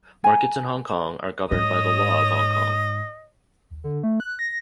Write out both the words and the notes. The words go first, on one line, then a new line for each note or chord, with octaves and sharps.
Markets in Hong Kong are governed by the law of Hong Kong.
G#5 A#5
G#2 C#5 D#5 D#6
D3
A3
F#6
A#6